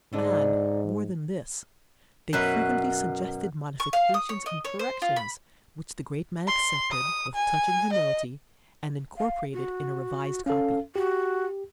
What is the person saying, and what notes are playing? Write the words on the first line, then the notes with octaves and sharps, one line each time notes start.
And more than this, they frequently suggested modifications and corrections which the great man accepted with touching humility and incorporated in a revised copy.
G#2 D3 D4 D#4
F#2 B2 F#4 B4
C#6
F5
D#6
C#5
D#5
C#5
C5
F4
B5
C6
D#6
G#5
D#5
F5
F#4
C#4 A4 F5
F#4 G4